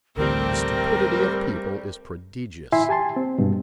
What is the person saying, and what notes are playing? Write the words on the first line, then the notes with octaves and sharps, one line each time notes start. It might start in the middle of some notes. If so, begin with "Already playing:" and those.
The stupidity of people is prodigious.
A1 D2 A2 G3 A3 C4 A#4
E4 E5 G#5 B5 C6
G4 G#5 A5 C6
C4
G2 B2